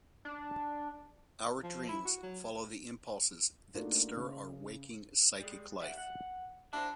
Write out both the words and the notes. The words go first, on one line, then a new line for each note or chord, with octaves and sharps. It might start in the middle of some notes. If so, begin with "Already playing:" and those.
Our dreams follow the impulses that stir our waking psychic life.
D4
F3
E4
F#4
F#3
A3 A#3 D4 D#4 F4 F#4
C#3
G3 G#3
G3 E5 F#5
F#5
D4 E4 F#4 C5